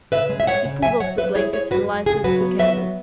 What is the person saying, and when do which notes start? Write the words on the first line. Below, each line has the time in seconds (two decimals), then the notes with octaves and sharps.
He pulled off the blanket and lighted the candle.
0.12 C#3 B4 E5
0.29 G#3
0.40 E5
0.47 G#3 C#5 F#5
0.65 C#3
0.82 F#3 E5 G#5
1.00 F#3 C#5 F#5
1.18 F#3 B4 E5
1.35 E4 G#4 C#5
1.53 G#3 G#4 C#5
1.71 F#2 F#4 B4
1.89 G#3
2.06 C#3 G#4
2.24 F#3 F#4 B4
2.41 B3
2.59 F#3 B4 E5
2.77 B3